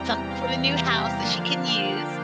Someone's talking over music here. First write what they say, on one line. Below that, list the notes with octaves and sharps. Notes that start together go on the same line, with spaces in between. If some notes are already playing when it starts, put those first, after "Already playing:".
Something for the new house that she can use.
Already playing: E2 C3 E3 G3 G5 A#5
F5
G4
D3 F3 A#3 D4 F5
G5